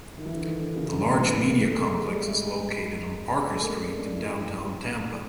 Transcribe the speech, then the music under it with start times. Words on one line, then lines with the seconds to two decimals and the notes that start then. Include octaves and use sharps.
The large media complex is located on Parker Street in Downtown Tampa.
0.18 D#3
0.26 E3
0.35 D3
0.42 D#3
0.60 D3
0.76 C#3
0.94 G3
1.10 B3
1.44 A#3
1.61 A3
1.83 G#3
1.98 G#3
2.06 G3
2.28 G#3
3.40 G#3
3.51 A3
3.62 A#3
3.80 C#4
3.96 D4
4.14 E4